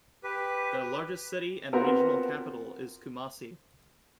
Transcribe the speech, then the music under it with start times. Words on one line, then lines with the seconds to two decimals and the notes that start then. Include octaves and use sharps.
The largest city and regional capital is Kumasi.
0.24 G4 B4
1.73 B3 C4 F4 F#4 A#4